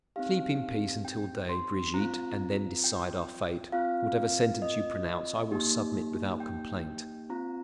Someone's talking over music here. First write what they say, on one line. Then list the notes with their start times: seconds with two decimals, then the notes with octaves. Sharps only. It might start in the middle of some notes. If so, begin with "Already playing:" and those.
Sleep in peace until day, Brigitte, and then decide our fate; whatever sentence you pronounce, I will submit without complaint.
0.16 C4 D#4 G4 F5
1.05 G5
1.49 C6
1.94 C4 F4 A#5
2.84 G5
3.72 C4 F4 F5
4.62 D#5
5.51 A#3 D#4 G4
6.40 G5
7.29 C4 F4 A#5